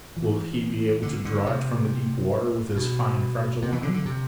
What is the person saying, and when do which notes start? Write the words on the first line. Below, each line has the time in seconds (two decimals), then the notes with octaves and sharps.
Will he be able to draw it from the deep water with his fine, fragile line?
0.16 E3
1.02 D3
1.25 D3
1.46 C3
2.76 B2
3.62 C3
3.72 E3
3.83 D3
3.94 D3
4.05 C3